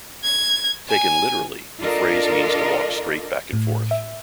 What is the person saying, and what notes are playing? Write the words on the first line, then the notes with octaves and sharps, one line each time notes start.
Taken literally, the phrase means to walk straight back and forth.
G#6
G#5
D4 F4 A4 A#4 D5 D#5
A2
E5